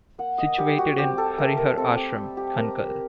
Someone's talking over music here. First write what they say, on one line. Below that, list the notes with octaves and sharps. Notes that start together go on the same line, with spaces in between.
Situated in Harihar Ashram, Kankhal.
A#3 F#5
D#5
G3 G4
F#4
C4 G4
A4
A3 A#4
A#4
C4 A4
G4
G3
G4
C4 A#4